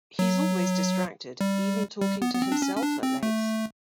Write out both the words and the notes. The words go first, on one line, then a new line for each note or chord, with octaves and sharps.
He's always distracted, even talking to himself at length.
F#3
G3
G3
B3
B3
C4
D4
C#4
C#4
D4
C4
A3